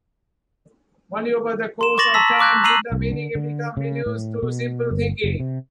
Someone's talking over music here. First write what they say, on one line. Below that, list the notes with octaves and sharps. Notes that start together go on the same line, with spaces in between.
Only over the course of time did the meaning become reduced to simple thinking.
C6 E7
C#6 D6 A6 A#6 F#7
A5 A#5 E6 B6
C#6 D6 F#6 G6
A#5 E6 C7 D#7 F#7
C2
D3
D3
C#3
A2
B2
G1
F#1
C3